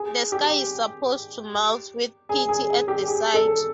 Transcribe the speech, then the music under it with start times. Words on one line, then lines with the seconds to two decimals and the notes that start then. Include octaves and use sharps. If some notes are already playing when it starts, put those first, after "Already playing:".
The sky is supposed to melt with pity at the sight.
Already playing: G#4
0.32 G4
2.29 G#4
2.49 G#4
2.69 G#4
2.88 G4
3.08 G#4
3.34 A4